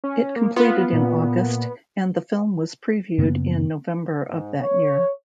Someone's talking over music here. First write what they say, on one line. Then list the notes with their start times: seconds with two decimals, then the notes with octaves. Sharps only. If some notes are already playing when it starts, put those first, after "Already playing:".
It completed in August and the film was previewed in November of that year.
0.04 C#4
0.36 A#3
0.56 B3 F4
0.93 A#2
3.18 F#2 C#3 A#3 B3
4.30 G#2
4.62 C#5